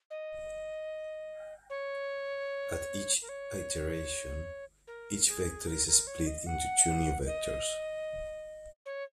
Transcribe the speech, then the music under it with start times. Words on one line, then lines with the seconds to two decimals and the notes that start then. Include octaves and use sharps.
At each iteration, each vector is split into two new vectors.
0.11 D#5
1.70 C#5
3.22 A#4
3.29 C#5
4.87 A#4
5.28 G#4
5.67 A#4
5.87 A#4
6.07 C#5
6.27 D#5
6.47 F#5
7.26 D#5
8.86 C#5